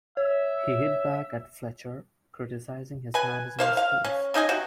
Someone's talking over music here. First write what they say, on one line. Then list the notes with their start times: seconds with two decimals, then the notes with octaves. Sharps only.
He hit back at Fletcher, criticising his management skills.
0.17 C#5 E5
3.14 B4 G#5
3.59 A#3 C5 F5
3.77 F5
4.04 C#4
4.34 C#3 D#4 D#5 G#5
4.49 C3 F#4